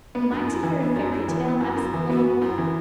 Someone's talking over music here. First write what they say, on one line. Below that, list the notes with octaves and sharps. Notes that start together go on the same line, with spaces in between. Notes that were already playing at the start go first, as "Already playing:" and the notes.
"Am I to hear a fairy tale?" asked the little boy.
B3
F#2 D4
F#2 E4
E3 C#4
B3 D4
F#2
F#2 E4
E3
B3
F#2
F#2
E3
B3 F#4
F#2
F#2 E4
E3